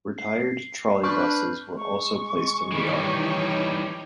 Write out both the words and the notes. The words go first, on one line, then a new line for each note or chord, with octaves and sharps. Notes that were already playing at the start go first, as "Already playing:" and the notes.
Retired trolley buses were also placed in the yard.
C7
D4 B4 C#6 F6 G6
G#3 C#6
D#3 E3 G3 D#4 C#5 G5